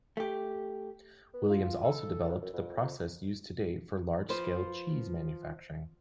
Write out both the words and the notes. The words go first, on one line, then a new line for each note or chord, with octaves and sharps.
Williams also developed the process used today for large-scale cheese manufacturing.
A3 G4
B3
F4
A4
F2
F#2
F2
F3 B4 C5